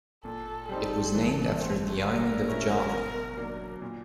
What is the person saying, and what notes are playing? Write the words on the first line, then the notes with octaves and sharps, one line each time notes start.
It was named after the island of Java.
A#2 A4
G3 C4 D#4 A4
E3
A3 C4
D3 A#4
F#3 A3 C#4 E4
B2
F#3 A#3 D4
A#2